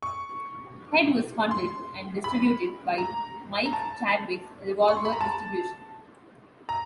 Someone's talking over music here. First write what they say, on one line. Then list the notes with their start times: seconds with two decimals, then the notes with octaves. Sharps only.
Head was funded and distributed by Mike Chadwick's Revolver Distribution.
0.03 C#6
1.51 C6
2.24 B5
2.98 A#5
3.66 A#5
3.73 A5
4.88 C#6
4.97 C6
5.05 B5
5.12 A#5
5.21 A5
6.69 A#5